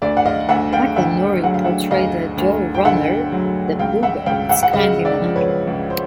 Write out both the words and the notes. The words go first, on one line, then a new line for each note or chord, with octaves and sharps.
Michael Nouri portrayed the Joe Rohner, the Bluebirds' kindly manager.
D2 D5 E5
F#5
D#5 F5
D2 E5 F#5
F5 G5
D3 E5 F#5
F#3 F#5
F5
E5 F#5
D2 D#5 F5
D2
G5
D3 E5 F#5
F#3
C#2 F5 G5
E5 F#5
C#2 F5 G5
E5 F#5
F#5
C#3 D#5 F5
D5 E5
F3
B4 C#5
C#2
C5